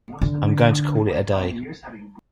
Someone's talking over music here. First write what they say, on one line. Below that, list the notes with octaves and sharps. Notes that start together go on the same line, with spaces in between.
I'm going to call it a day.
D3